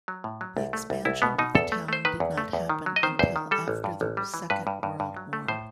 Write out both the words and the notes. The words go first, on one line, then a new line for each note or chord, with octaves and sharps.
The expansion of the town did not happen until after the Second World War.
F#3
A2
F#3
C2
A3
C2
C2 E4
B2 B3
B2 D#4
E2 A4
A3
A3 C5
D#3 B4
E2
A3
E2
D#3
F#3
D#5
D#3 C5
E2 C5
D#3
G3 A4
A1
G2
A1
G3
E3
G2 B4
G2
G2
G2
F#3
A3
A2 C5